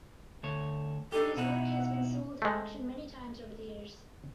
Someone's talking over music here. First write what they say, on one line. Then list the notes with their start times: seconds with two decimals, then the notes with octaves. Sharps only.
His work has been sold at auction many times over the years.
0.43 D2 A4 C#5
1.12 D4 D#4 G4 A4
1.37 B2 D#4 E4 F#5
2.42 G#3 A3